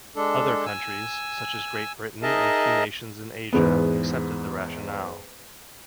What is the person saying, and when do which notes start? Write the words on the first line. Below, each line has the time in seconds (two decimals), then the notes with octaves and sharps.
Other countries, such as Great Britain and key nations in Asia, accepted the rationale.
0.16 G#3 D4 A4
0.66 G#5 E6
2.23 D#4 G#4 A#4 D#5 E5 A5
3.53 E2 G#2 B3